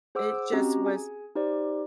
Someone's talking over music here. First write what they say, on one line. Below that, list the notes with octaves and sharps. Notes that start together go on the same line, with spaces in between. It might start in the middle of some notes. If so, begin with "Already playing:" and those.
it just was
G#4 C5 F#5 D6 E6
C4 C#4 F#4 G4 D#5 A#5
G#4 G#5
D#4 G4 C5 D5